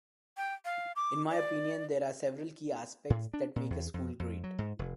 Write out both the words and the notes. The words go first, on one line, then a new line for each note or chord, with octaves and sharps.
In my opinion, there are several key aspects that make a school great.
G5
F5
D6
D5
A2
D4
A#2
E2
F2
F2
F#3
G#2
F1